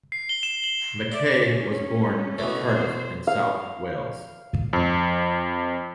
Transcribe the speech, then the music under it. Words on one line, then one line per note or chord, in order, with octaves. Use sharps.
Mackay was born at Cardiff in south Wales.
C7
G7
E7
F#7
D5 E5
C#4
B2 E3 A3
C5
F5
F2